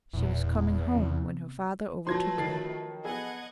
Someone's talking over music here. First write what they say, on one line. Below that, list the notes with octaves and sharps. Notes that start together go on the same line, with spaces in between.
She was coming home when her father overtook her.
E1 E2 A#2
C3 B3 C4
F3 F#3 A3 B4 C6 G#6 A#6
D#3 A6 C7
B3 G#4 A4 D#5 F#5 G#6